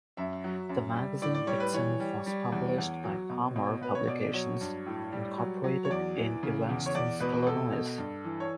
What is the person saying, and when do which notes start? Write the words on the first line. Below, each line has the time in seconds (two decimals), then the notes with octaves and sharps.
The magazine itself was published by Palmer Publications, Incorporated in Evanston, Illinois.
0.17 F#2 E5
0.44 F#3
0.69 F#2
0.96 G3
1.22 A2 D5
1.35 D5
1.47 G3 C#5
1.60 B4
1.73 E3 C#5
2.00 G3
2.26 G3
2.52 E2
2.78 E2
3.04 F#3
3.30 B2
3.56 B2
3.81 B2 B4
3.95 C#5
4.08 B2 D5
4.20 D5
4.34 F#3 C#5
4.61 G2
4.86 A2
5.12 G3
5.38 F#3
5.64 F#3
5.85 C#5
5.90 E2 D5
6.16 E3
6.43 C#3
6.69 E2
6.86 C#5
6.95 E2 D5
7.20 B2 B4
7.46 B2 A4
7.73 B2
7.98 G2
8.24 E3
8.40 C#5